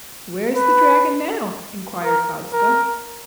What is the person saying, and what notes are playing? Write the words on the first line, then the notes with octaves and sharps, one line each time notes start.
"Where is the dragon now?" inquired Ozga.
B4
A#4
A#4